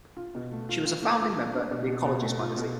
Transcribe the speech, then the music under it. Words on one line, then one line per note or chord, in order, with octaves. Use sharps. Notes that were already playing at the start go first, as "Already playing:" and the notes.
She was a founding member of "The Ecologist" magazine.
F4
B2
A3
F4
F4
A3
F4
D4
D4
B2
B2
B2
A3
F4
B2